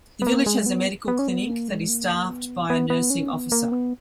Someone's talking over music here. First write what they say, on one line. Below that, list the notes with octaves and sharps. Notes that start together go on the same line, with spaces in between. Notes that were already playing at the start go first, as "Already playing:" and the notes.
The village has a medical clinic that is staffed by a Nursing Officer.
B3
A#3
G#3
B3
B3
C#4
B3
A#3
G#3
A#3
B3
B3
B3
C#4
B3
A#3
B3